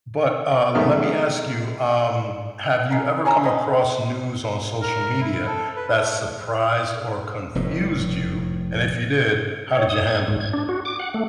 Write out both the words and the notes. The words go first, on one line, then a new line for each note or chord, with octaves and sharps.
But, uh, let me ask you, um, have you ever come across news on social media that surprised or confused you, and if you did, how did you handle it?
G#2 D#3 A3 B3 A#4 F6
C#3 A#4
G#4 C#5 G#5 A#5
A3 C#4 C5 D#5
A#4
E4
A4
B4
A3
F1 A2
C#5
D#6
G#6
G#2
G#6
D4
F#4
D6
F#5
A3